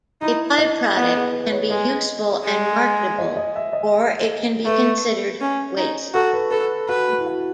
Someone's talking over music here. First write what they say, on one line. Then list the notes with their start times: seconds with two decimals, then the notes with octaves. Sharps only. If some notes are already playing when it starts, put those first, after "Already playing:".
A by-product can be useful and marketable or it can be considered waste.
0.21 D#4 E4
0.58 D#5
0.96 B3 B4
1.15 G#4
1.33 B4
1.44 B4
1.52 C#5
1.70 G#3 D#5
2.44 G#3
3.18 D#5
3.37 D#5
3.56 E5
3.73 D#5
4.66 A3 B4
5.41 C#4
5.77 D#4
6.15 F#4 A4
6.33 B4
6.51 A4 B4
6.89 F#4 B4
7.18 E4
7.26 F#4